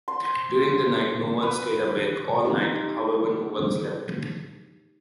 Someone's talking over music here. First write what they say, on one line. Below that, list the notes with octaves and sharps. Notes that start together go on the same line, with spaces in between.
During the night, no one stayed awake all night, however no one slept.
C6
B4
D#4 F4 G4